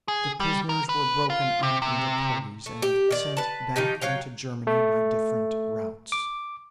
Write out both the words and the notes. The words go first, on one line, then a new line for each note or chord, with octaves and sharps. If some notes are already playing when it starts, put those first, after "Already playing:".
The prisoners were broken up into parties, and sent back into Germany by different routes.
G#4
G3
A#4
B4
F4
C3
C3
A3
G4
D#3 D5
B4 A5
D#3 F3 D#4 G4
F#3 C#5 F5 G5
A3
D6